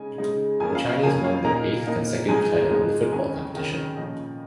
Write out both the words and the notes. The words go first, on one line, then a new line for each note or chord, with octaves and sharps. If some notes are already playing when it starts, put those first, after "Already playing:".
The Chinese won their eighth consecutive title in the football competition.
Already playing: C#3 G#3 D#4 G#5
C#3 G#3 D#4
F2 F3 A#3 C#4 G#5
F5
F5
F2 F3 A#3 C#4 G#5
F5
A#2 A#3 D#4 A#5
A#2 A#3 D#4
G#2 F3 G#3 D#4 G#5
G#2 F3 G#3 D#4
F2 D#3 C#4 G#5
F2 D#3 C#4
A#2 F3 C#4 D#5